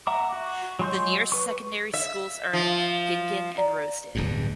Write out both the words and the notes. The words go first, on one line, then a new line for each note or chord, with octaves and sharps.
The nearest secondary schools are in Gin Gin and Rosedale.
E5 F#5 A#5 D6
F#4
F#3 G#3 C6 C#6 G6
B4 C#6
E5
F3
D5 A#5
D1 E2 G2